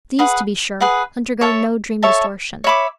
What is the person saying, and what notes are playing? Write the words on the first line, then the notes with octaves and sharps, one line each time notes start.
These, to be sure, undergo no dream distortion.
G#4 B4 F#5
G#4 B4 F#5
A4 C#5 E5 A5
A4 C#5 E5 A5
C#5 E5 B5 D6